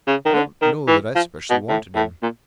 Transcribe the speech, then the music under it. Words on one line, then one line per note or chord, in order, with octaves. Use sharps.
I don't know that I specially wanted him.
C#3
D#3
D3
D#3
E3
F3
B2
A2
A2
A#2